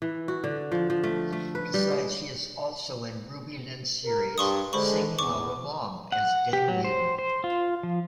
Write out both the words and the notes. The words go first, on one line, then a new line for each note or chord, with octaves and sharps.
Besides, he is also in Ruby Lin's series "Singing All Along" as Deng Yu.
E3
F#4
D3
F3
F3
A3
A3
B4
G3
G#3
A#4
G2 C6 C#6 D#6
D3 G#3 C5 B5 C#6
E2 C#6 D6
F#5
G4
F#3
C5
C5
F4
F3